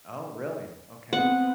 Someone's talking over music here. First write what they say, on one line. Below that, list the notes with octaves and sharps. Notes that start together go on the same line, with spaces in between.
Oh, really? Okay.
B3 C4 F#5